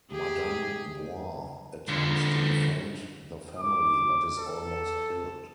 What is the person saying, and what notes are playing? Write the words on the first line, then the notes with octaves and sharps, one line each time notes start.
Madame Wah attempts to defend the family, but is almost killed.
G4 G#4
D3 F3
D6
A4